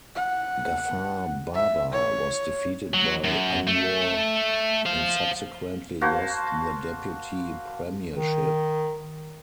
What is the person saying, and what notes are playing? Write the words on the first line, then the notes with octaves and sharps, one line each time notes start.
Ghafar Baba was defeated by Anwar and subsequently lost the deputy premiership.
F#5
E5
C#5
F#3
F#2
A3
C5 F5
A#3 F#4 C5 A5
D#3